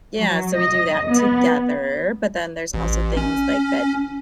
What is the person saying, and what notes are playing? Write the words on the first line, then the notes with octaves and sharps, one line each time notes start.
yeah, so we do that together, but then there's also things, like, that
F#3
D#5
B3
A1
C#4